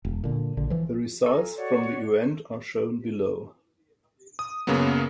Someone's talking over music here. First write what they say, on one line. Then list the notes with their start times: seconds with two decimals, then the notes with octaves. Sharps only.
The results from the event are shown below.
0.05 E1
0.24 A#2 D3
0.57 A#1 D3
0.70 E3 F3
1.26 F4 A4 G#5 A#5
1.55 F#4 C#5 D5
4.39 D#6
4.67 F#2 C#3 F#3 A#3 B3